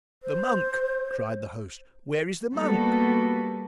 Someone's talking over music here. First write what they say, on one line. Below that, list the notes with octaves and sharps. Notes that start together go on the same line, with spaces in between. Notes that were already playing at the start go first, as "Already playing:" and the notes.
"The monk!" cried the host; "where is the monk?"
C5
G3 A#3 B3 F#4 A4